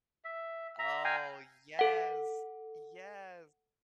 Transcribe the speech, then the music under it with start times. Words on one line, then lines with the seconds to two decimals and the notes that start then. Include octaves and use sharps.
Oh, yes, yes.
0.24 E5
0.79 E5 A#5
1.05 F5 G5 G#5 A#5
1.79 A4 F#5